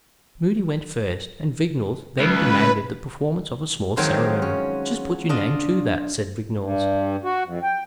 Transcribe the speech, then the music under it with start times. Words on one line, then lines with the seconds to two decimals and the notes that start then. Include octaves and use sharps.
Moody went first, and Vignolles then demanded the performance of a small ceremony. "Just put your name to that," said Vignolles.
2.19 C#2 B4
3.97 D#3 F3 F#3 G#3 C4 F4
4.42 C#4
5.29 D4 F4 D#5
6.61 G2
7.24 F#4
7.44 F2
7.63 G5